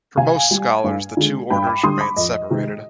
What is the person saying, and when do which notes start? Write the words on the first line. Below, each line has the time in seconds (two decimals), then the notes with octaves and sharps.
For most scholars, the two orders remain separated.
0.17 C3 F5 G#5
0.51 G3
0.84 G2
1.17 D3 G#3
1.50 G2 G5 B5
1.67 B5 D6
1.83 D3 G3 C6 D#6
2.01 B5 D6
2.17 F2 D#5
2.50 C3 D#3 G#3